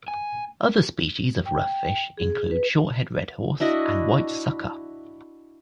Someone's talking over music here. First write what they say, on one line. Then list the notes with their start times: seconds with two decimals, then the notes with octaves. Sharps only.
Other species of rough fish include Shorthead Redhorse and White Sucker.
0.08 G#5
1.46 G5
2.17 G#4
2.51 B4
3.60 D4 E4 F#4 D#5